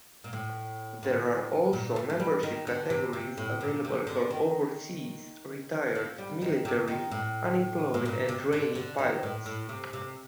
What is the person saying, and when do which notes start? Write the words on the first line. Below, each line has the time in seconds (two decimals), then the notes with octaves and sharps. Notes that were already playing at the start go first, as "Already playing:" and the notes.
There are also membership categories available for overseas, retired, military, unemployed and trainee pilots.
0.24 A#2
0.33 A2
1.03 A2
1.73 A#2
1.96 A3
2.10 A3
2.20 G3
2.43 D#3
2.67 D3
2.90 C3
3.13 C3
3.38 A2
3.61 A#2
3.85 C3
4.07 D3
4.30 D#3
5.95 F3
6.18 G3
6.42 D#3
6.65 C3
6.88 D#3
7.11 A2
7.94 A2
8.05 A#2
8.29 C3
8.53 D3
8.75 D3
8.99 D#3
9.23 A2
9.46 A2
9.69 C3
9.93 C3